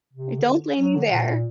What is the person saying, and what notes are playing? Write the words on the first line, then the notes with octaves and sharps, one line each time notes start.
I don't blame you there.
C3
D3
F#3
D3
A#2
A#2